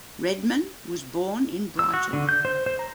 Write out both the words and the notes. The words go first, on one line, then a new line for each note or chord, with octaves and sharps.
Redman was born in Brighton.
E6
F#4
D3
G6
C5
C5
A#5